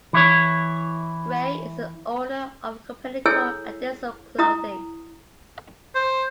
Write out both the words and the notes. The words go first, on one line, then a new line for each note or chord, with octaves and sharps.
Gray is the owner of a company called Adesso Clothing.
E3 E4 C#5
E4 G#4 A4 C#5 G#5 E6
E4 A#5 D#6
C5